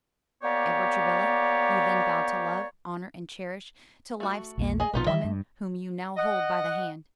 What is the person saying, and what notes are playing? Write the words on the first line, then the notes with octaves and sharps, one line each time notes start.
Edward Travilla, you then vowed to love, honor and cherish till life's end the woman whom you now hold by the hand.
A#3 B3 G4 C#5 D5
A3 F#4
A#1 E2 A#3
G#4 D#5
A#1 B2 B3 D#4 F4
D#3 E3 D#5 E5
G2
D#5 F#5